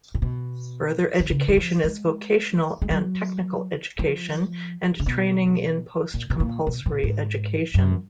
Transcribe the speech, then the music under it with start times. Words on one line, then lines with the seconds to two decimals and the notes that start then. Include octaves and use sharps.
Further education is vocational and technical education and training in post-compulsory education.
0.14 A#2
0.22 B2
1.20 D#3
1.30 C#3
1.48 D#3
1.57 F3
1.84 G#3
2.82 G#3
2.91 F#3
3.99 F3
5.00 C#3
5.06 B2
6.14 A#2
6.30 B2
6.40 A#2
6.67 B2
6.86 A#2
7.03 G#2
7.74 F#2